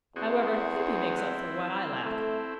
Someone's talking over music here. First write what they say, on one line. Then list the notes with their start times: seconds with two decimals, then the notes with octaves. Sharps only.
However, Hippy makes up for what I lack.
0.16 E2 C4 F#4 G#4
1.18 C4 E4
2.03 A3